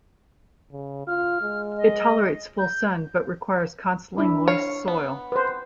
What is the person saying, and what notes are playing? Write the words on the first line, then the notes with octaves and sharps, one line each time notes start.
It tolerates full sun, but requires constantly moist soil.
C#3
F4 F6
G#3
D#5
G6
D4 E4
C#5 F5
B3
B4 C5